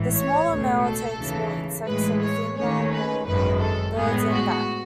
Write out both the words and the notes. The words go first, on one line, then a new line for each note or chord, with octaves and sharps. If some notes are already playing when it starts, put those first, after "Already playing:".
The smaller male takes more insects, and the female more birds and bats.
Already playing: A1 G#2 E3
C#5
C#2 B2 A3
A4
D#2 C#3 E3
A2 E3 G#3 B4
C#5
D#2 D#3 A3 C#4 C#5
B4
G#1 F#2 D#3 G#3 B4
A4
A2 G#3 B3 G#4
F#4